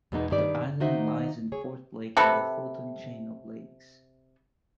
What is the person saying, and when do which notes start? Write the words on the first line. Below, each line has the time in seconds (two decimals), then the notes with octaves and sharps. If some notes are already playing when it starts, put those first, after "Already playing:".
The island lies in Fourth Lake in the Fulton Chain of Lakes.
0.12 E2 B2 G#3 A#3 B3 D#4
0.30 G2 D#3 G4 D5
0.80 D#3 A#3 D#4 F#4 C5 E5
1.52 G#4 C#5
2.17 C3 A4 B4